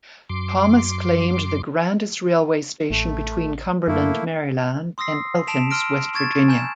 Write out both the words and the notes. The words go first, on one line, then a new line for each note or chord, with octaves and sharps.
Thomas claimed the grandest railway station between Cumberland, Maryland, and Elkins, West Virginia.
F#2 C6 D6
A1 A3
F#2 A3 A#3 E4
C6 D#6 E6 A#6 C7
A5 B6 D7 E7 F7
C6 E6 F6 A#6 D7
C#6 G#6 A6 E7
G#5 A#5 G6 E7